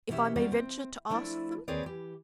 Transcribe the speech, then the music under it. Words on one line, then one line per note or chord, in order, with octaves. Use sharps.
'If I may venture to ask them.'
B2 E3 C#4 G4 E5
G3 B3 C#4 D4 F#4 D5
C4
F3 A3 D4 E4
D#2 C4 G#4 B4 C#5 D5
E3 G4